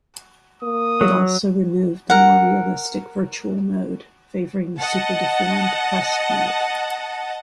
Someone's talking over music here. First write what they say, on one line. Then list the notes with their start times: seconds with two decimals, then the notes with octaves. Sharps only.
It also removed the more realistic "Virtual Mode", favoring the super deformed "Quest Mode".
0.63 A#3 D#6
1.01 F#3
2.10 A#4 F#5
4.79 D#5 F#5 A5